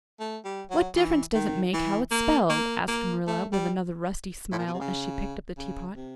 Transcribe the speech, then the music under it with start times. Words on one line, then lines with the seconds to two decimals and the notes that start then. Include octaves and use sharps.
"What difference does it make how it's spelled?" asked Marilla with another rusty smile as she picked up the teapot.
0.20 A3
0.45 G3
0.71 F#3
0.96 E3
1.34 D#3
1.74 E3
2.11 A#3
2.50 A#3
2.88 A#3
3.27 A3
3.52 G3
4.52 A2
4.59 A#2
4.66 B2
4.74 C3
4.81 C#3
5.58 C#3
5.96 C3